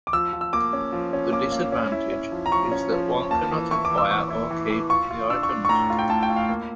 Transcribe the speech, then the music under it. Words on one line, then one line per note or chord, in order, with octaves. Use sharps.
The disadvantage is that one cannot acquire or keep the items.
D6
F3 E6
F3
E6
A#3 D6
C#4
F3
C#4
A#3 D6
A#3
C#4
E4
C#4
F3
A#5
F3 C#6
C#4
F3
F3
A#3 A5
E3
E4 C#6
D6
E3
E6
E3 C#6
E4
E3
E3
F4 C#6
F4
D4 E6
C#6
D4
C#6
A2 A#5
F4
G5
A2 A5
G5
F4
F5
A#3